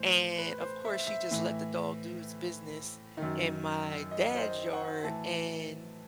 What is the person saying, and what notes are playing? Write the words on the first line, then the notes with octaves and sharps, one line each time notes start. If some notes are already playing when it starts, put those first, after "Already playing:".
and of course she just let the dog do its business in my dad's yard, and
Already playing: A2 E3 C5
B4
C5
E5
E5
A2 E3
F#2 D#3
D#5
C5
D#5
F#5
A2 E3 A5